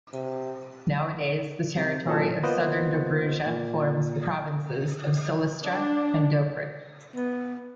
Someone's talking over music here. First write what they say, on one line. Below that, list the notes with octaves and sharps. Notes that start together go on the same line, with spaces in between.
Nowadays, the territory of Southern Dobruja forms the provinces of Silistra and Dobrich.
C3
C3
A#2 E3 F#3 C#4 F4 A4
A#3 B3 F4 B4 C5 D#5
A#2
D4
B3